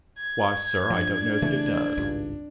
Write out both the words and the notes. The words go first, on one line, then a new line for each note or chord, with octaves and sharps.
'Why, Sir, I don't know that it does.
G#6
G2 F3 D4
C#3 E3 A3
G#1 C#2 G2